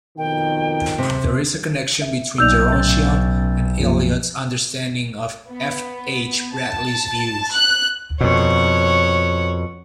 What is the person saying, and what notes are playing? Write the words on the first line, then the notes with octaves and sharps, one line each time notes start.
There is a connection between "Gerontion" and Eliot's understanding of F. H. Bradley's views.
F2 B2 D#3 G5
C3
E5
B1 A#3 D#4 D5 E6 G6 F7
A2 C#4 A6
F#2 F3 A#3
B3
A5
F#6
F2 B2 C#5 F#5